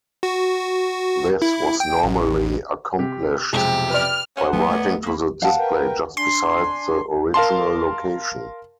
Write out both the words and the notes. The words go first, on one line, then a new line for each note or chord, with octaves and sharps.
This was normally accomplished by writing to the display just beside the original location.
F#4
E4
G5
A1
C3 G4
B1 F2 C3 G#3 G4
B4 D5 F6
C#4 C5 F#5
F#3 G3 A#3 B3
A3 C#5 D5 A#5
A#3 B5
D#2 F5 F#5 A5
A#4 B4 G5
D4 G#5 C6
A#4 F5 A5 C6